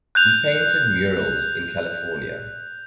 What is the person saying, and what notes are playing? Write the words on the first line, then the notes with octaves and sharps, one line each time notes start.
He painted murals in California.
F#6 G6 F7